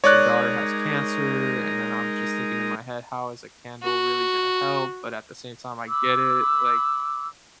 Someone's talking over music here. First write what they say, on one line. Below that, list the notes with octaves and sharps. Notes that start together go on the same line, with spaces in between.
her daughter has cancer, and then I'm just thinking in my head, "How is a candle really gonna help?" But, at the same time, I get it. Like,
G#3 D#4 A#4 C#5 D5 F#6
F#4
B5 D6 E6